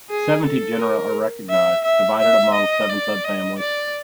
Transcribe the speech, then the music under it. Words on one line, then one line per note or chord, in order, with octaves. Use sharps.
Seventy genera are recognised, divided among seven subfamilies.
G#4
A4
A#4
E5
E5
E5
D#5
D5
D#5
D5